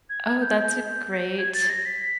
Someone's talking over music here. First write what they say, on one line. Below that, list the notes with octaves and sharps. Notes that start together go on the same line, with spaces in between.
Oh, that's a great
G#6
G#6
G6
G6
G#6
A6
A#6
B6